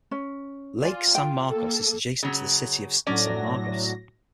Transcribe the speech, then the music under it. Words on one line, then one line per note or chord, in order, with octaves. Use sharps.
Lake San Marcos is adjacent to the City of San Marcos.
C#4
F4 D5 G#5
G5
A#3 A4
C#3 F#3
A2 F#3 C#4 D4 D5 A#6